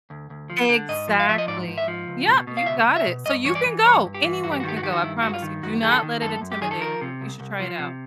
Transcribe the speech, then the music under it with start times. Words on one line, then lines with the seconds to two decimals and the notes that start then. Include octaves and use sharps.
Exactly! Yep, you got it, so you can go. Anyone can go, I promise you, do not let it intimidate you, you should try it out.
0.10 D2
0.30 D2
0.50 F3
0.69 D3
0.89 G#2 D#5
1.08 F3
1.20 F5
1.29 F3 E5
1.38 D#5
1.48 G#2 D5
1.68 G#2
1.78 E5
1.88 F3
2.07 C#2
2.28 B2
2.47 B2
2.57 F5
2.66 C#2 E5
2.87 C#2
2.96 E5
3.06 B2
3.26 G2 D#5
3.45 E3 C#5
3.55 D5
3.65 E3
3.85 G2 C#5
4.05 G2
4.14 G4
4.24 E3
4.44 G2 F#4
4.52 G4
4.60 F#4
4.63 D#3
4.69 G4
4.77 F#4
4.83 D#3 G4
4.93 F#4
5.03 G2 E4
5.22 G2 F#4
5.34 F4
5.42 D#3
5.63 F#2 F#4
5.82 D#3 G#4
5.92 A4
6.03 D#3
6.21 F#2 A4
6.41 F#2
6.52 G4
6.61 D#3 G#4
6.71 A4
6.80 F3 A#4
7.01 C3
7.21 C2
7.40 C2
7.60 F3
7.79 C3